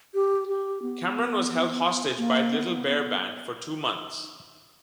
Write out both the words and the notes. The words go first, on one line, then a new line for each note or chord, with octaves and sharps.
Cameron was held hostage by the Little Bear Band for two months.
G4
G4
B3
A#3
B3
B3